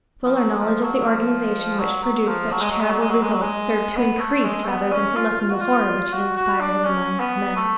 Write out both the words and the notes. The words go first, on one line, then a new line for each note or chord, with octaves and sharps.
Fuller knowledge of the organization which produced such terrible results served to increase rather than to lessen the horror which it inspired in the minds of men.
F3
F#3
F3
F#3
F3
F#3
F#3
F3
F#3
G#3
F#3
G#3
F#3
G#3
F#3
G#3
F#3
G#3
B3
A3
G#3
A3
B3
C#4
F4
F4
F#4
F4
F#4
F#4
D4
C#4
B3
A3